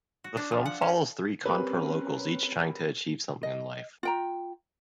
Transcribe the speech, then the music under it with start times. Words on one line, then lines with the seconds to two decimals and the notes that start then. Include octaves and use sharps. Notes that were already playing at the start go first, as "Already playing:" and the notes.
The film follows three Kanpur locals each trying to achieve something in life.
0.24 F#4
0.37 D4
0.52 F3
0.65 F#5
0.82 C#4
1.46 G3 C4 C#4 A#4 B4
3.43 D#5
4.03 F4 G5 A#5